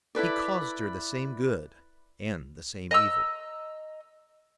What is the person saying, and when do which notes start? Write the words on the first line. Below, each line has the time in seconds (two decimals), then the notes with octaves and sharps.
He caused her the same good and the same evil.
0.15 E4 A4 B4 D5
2.91 D#5 A#5 E6